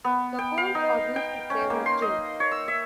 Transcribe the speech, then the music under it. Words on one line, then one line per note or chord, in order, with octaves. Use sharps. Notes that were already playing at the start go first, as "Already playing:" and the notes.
The cones are used to flavor gin.
B3
G5
F5
D#4
G5
C#4
A#3
C6
D#5
C#5
E6
E5